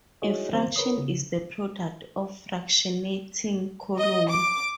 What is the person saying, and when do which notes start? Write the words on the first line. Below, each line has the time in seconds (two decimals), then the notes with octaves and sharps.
A fraction is the product of a fractionating column.
0.22 D#4 E4 F#4 G#4 C#5 D#5
0.50 D#3 F#3 B3 C4 C5
0.76 A#4 B4 C#5 D#6
0.98 C#3
3.96 D#5
4.28 D6